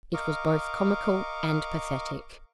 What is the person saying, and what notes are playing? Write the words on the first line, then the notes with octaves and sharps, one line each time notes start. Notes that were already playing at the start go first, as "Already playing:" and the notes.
It was both comical and pathetic.
A#4 D#5 F5 C#6 D6